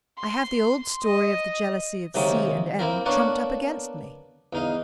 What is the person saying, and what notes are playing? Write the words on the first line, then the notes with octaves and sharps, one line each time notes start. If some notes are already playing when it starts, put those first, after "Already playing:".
I have the old story of the jealousy of C----and M----trumped up against me.
C6
D#5
C3 D#3 F#3 G#3 A#3
A#3 C4 E4 A#4
A#3 B3 D4 A#4 C#5 F#5
E2 D#4 F5